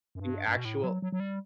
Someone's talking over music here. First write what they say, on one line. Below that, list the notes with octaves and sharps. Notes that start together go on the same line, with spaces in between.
the actual
F#2
G2
G2
B2
A2
F#3
F#3
F#3
G3